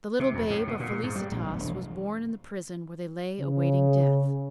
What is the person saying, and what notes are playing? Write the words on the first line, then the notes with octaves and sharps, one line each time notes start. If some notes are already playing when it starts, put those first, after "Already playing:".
The little babe of Felicitas was born in the prison where they lay awaiting death.
C3
F2
A2
B2
A#2
G#2
G3
A#1
G1
E1
C#3